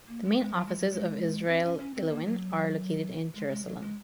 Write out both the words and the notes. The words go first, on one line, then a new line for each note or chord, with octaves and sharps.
The main offices of Israel Elwyn are located in Jerusalem.
A#3
G#3
G#3
F#3
G#3
F#3
G#3
C4
C#4
C#4
C4
A#3
F#3
G#3
G#3
F#3
G#3